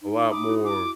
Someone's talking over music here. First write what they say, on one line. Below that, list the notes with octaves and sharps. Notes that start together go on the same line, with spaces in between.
a lot more
D#4
B5 D6 D#6
E4 F#4
D6